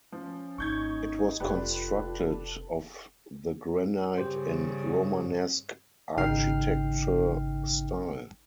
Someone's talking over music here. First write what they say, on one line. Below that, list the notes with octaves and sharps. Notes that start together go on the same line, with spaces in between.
It was constructed of the granite in Romanesque architecture style.
F3 C#4
G#1 A#3 D#4 C#6 G6 G#6
F1 D4 F4 G4 A4 B4
G2 C#3 G4 C5
G#1 C#3 D#4 G5 F6 C7